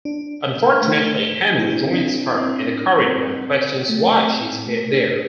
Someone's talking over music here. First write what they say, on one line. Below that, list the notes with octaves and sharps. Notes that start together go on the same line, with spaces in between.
Unfortunately, Henry joins her in the corridor and questions why she is there.
D4
A3
E4
D4
C4
D4
C4
A3
A3
D4